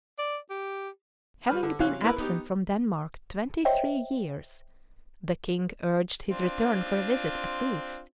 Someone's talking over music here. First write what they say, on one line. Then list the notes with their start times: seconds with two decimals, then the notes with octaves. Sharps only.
Having been absent from Denmark twenty-three years, the King urged his return for a visit, at least.
0.18 D5
0.50 G4
1.48 G3 B4 F6
1.63 D3
1.79 C3 E3 F#3 C#4 F5 F#6
2.02 A#3 E4 A#4 B4
2.17 B3 D#4 G4
3.65 C5 C#5 D#5 E5 G5
6.30 C4 D4 F4